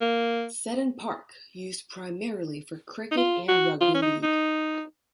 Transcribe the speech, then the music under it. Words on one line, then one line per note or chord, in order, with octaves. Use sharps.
Seddon Park - used primarily for Cricket and Rugby League.
A#3
D#4
F4
F#4
F4
C#4
D#4
D#4